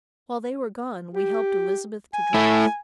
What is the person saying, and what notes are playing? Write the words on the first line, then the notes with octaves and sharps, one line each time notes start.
While they were gone we helped Elizabeth to dress.
G4
G#5
A3 E4